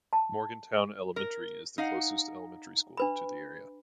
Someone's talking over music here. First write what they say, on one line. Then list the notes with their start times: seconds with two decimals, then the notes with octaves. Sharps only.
Morgantown Elementary is the closest elementary school to the area.
0.13 A5
1.16 A#4
1.78 D#4 F5 F#5
2.97 D4 B4 B5